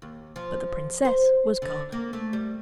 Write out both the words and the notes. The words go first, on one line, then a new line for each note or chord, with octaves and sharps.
But the princess was gone.
D#2
F3
C5
D3
A#3
A3
G3